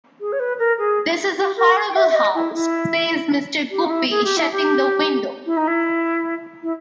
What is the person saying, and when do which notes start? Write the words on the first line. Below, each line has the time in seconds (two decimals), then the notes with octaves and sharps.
"This is a horrible house," says Mr. Guppy, shutting the window.
0.21 G#4
0.32 C#5
0.39 B4
0.59 A#4
0.79 G#4
1.37 G4
1.57 A#4
1.89 G5
1.96 E5
2.10 E5
2.15 D#5
2.35 E4
2.54 E4
3.71 G4
3.85 D#4
3.90 E4
4.10 G#4
4.24 G4
4.37 E4
4.52 G4
5.46 E4
5.57 D#4
5.67 E4
6.63 E4